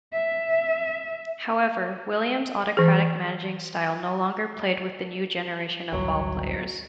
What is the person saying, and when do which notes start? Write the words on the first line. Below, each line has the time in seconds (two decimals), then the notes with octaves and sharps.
However, Williams' autocratic managing style no longer played with the new generation of ballplayers.
0.13 E5
2.77 E3 G#4
5.93 A1 D2 G2 F#3